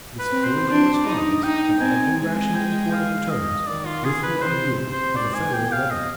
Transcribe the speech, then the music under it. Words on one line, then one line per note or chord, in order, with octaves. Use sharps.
This fully corresponds, in every rational import of the terms, with the idea of a federal government.
B4
C4
C5
D4 C5
D5
D#4
D#5
D#4 G5
C4 G#5
G#3 G#5
G5
F5
D#5
D#3 D5
F4
G#4
B4
C3 C5
C5
G#2 D5
G#5
B2 G5
F5
D#5